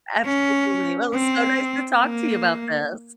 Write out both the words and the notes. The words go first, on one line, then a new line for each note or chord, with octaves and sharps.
Absolutely. Well, it was so nice to talk to you about this.
C#4
C4
A#3